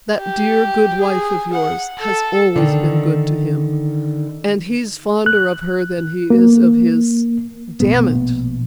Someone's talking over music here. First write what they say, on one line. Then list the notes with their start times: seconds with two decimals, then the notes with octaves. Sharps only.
That dear good wife of yours has always been good to him; and he's fonder of her than he is of his . . .--Damn it.
0.18 G4
1.01 G#4
1.53 F#5
2.00 A4
2.56 D3 D#3
5.26 F#6
6.30 A#3
7.80 A#1 B2 A3 B3